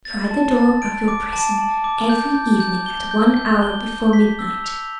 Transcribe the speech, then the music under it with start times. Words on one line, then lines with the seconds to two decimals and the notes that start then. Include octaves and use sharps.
Try the door of your prison every evening at one hour before midnight.
0.05 A6
0.31 A5
0.57 A6
0.82 D7
1.08 D6
1.33 A5
1.58 A5
1.84 D6
2.09 G6
2.35 G6
2.60 G6
2.86 G7
3.11 G6
3.37 G6
3.62 G7
3.88 G6
4.13 B6
4.39 E6
4.64 F7